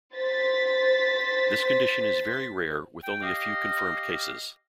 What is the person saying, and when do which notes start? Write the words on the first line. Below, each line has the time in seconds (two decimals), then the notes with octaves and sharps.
This condition is very rare with only a few confirmed cases.
0.14 C5 A6 B6
3.03 G5
3.22 G4 D#5 F5